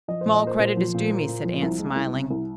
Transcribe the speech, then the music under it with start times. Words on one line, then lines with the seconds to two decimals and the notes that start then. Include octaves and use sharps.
"Small credit is due me," said Anne, smiling.
0.08 F3 D#5
0.21 A#2 C5
0.34 D#5
0.42 A#3 C5
0.59 A#2 C5
0.77 F3
0.94 A#2
1.11 A#3
1.28 A#2
1.44 F3
1.63 C2
1.79 G#3
1.96 C2
2.13 C3
2.31 C2